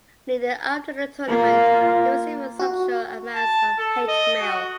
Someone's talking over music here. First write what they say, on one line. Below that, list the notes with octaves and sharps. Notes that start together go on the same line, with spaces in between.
Leading up to the tournament he received substantial amounts of hate mail.
A#3 F4
F#4
A5
A4
D#5
F#4